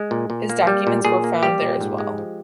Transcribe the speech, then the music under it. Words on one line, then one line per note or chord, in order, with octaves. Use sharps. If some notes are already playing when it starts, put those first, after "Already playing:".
His documents were found there as well.
Already playing: G#3
A#2
A#2
A#3
G3
A#2
A#2 G#4
A#3
G3 G4
A#2
G#2
G#3
F3